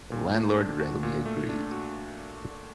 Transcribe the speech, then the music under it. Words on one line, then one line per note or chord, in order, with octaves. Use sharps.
The landlord readily agreed.
A#2
A3
D4
F#4
A#2
A3
D4
F#4